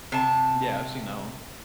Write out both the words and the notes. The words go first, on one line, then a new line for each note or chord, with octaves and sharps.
Yeah, I've seen that one.
C3 A5